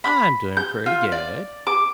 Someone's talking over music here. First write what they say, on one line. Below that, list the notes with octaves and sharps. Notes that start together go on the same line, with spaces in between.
I'm doing pretty good.
B5
G6
F4
D5
D6